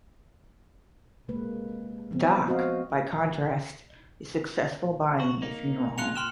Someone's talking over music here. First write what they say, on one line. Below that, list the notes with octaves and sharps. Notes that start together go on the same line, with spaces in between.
Doc, by contrast, is successful, buying a funeral home.
C3 G#3 A#3 B4
F3 B3 C4
C4 F#4 C5 D#5 F5
F#4
A#3 D#4
G#3 F4 F#6 C#7 F7
A#2 G5 C6 F6 E7